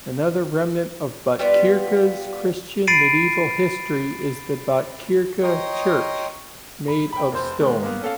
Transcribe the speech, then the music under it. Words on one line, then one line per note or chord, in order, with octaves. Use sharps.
Another remnant of Botkyrka's Christian medieval history is the Botkyrka church, made of stone.
G3 B3 D#4 F4
B5 A6 C7 D7 D#7
C#5 D#5 G5 A#5 C6 D#6
B5
G5 B5
F1 C5
D#3 G#3
A#3 B3
C#4 A4 F5